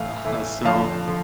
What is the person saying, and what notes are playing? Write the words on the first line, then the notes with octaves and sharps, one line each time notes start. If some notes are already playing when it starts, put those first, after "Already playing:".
Aha, so,
Already playing: A2 E3 A3 E4 F5
A2 E3 A3 E4
F2 D3 F3 F5 A5
D3 F3